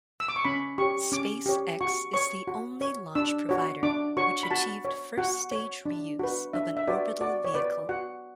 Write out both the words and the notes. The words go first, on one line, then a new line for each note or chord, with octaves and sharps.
SpaceX is the only launch provider which achieved first-stage reuse of an orbital vehicle.
E6
D6
C#6
C#4 B5
G4 C#5 C#6
C#4 D6
G4 C#5
F#4 C#6
C#5 C#6
F#4
C#5
D4 E6
F#4 C#5
D4 D6
F#4 C#5 C#6
B5
F#4 A5
C#5
F#4 F#5
C#5
D4
F#4 B4
D4 E5
E5
F#4 B4 D5
F#4 D5
C#5
B4 D5
F#4 F#5